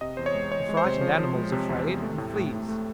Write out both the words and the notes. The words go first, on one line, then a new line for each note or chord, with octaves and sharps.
The frightened animal is afraid and flees.
C3 D#5
E2 C5
C#5
G#3
E2 C#5
G#3
C5
C3
F3
F3
G#3
C3
E2
C3
A3
A2
A2
A2
A3